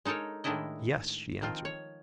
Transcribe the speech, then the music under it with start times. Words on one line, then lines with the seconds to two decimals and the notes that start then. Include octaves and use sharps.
"Yes," she answered.
0.05 G#3 D#4 A4 A#4 C#5
0.44 A2 D#3 G#3 D4 E4 D#5
1.42 D#3 F3 C4 F4
1.65 C#5